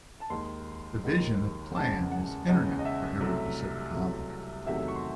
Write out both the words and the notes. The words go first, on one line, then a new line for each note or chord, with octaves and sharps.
The vision of the plan is Internet for Every Pacific Islander.
A5
D#2 D#3 G#3 C6
D#2 D#3 G#3
E2 C#3 G#3 A5
F#5
E2 C#3 G#3 D#5
D#5
E5
C2 C3 F#3 A3
C2 C3 F#3 A3
E2 C3 D#3 F#3 A3 E5
C#6
C6